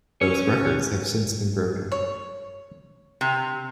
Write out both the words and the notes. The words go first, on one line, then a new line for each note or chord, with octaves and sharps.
Both records have since been broken.
C#4 C#5
C#5
C3